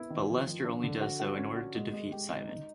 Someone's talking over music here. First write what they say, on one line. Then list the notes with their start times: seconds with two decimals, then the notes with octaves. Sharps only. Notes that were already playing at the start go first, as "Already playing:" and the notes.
But Lester only does so in order to defeat Simon.
Already playing: B3 E4
0.10 D#3
0.29 F3
0.47 F3
0.65 D4
0.83 D3
1.01 F#4
1.20 F#4
1.38 C#4
1.56 F#4
1.75 G#3
1.93 G#3
2.12 G4
2.30 D#4
2.48 D#4